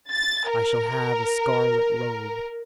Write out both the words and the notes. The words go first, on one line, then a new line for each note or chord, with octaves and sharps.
I shall have a scarlet robe.
A6
A#4